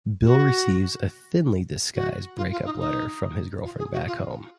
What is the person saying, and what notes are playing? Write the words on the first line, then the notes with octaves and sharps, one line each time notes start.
Bill receives a thinly-disguised break-up letter from his girlfriend back home.
F#4
F#4
F4
F4
D#4
D#4
F4
G#4
F#4
F4